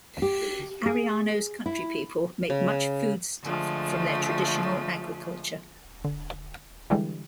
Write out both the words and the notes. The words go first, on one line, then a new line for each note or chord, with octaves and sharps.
Ariano's countrypeople make much foodstuff from their traditional agriculture.
G4
G#4
E4
C#3
D3 F3 G#3 A3
D3
D3 E3 G3 G#3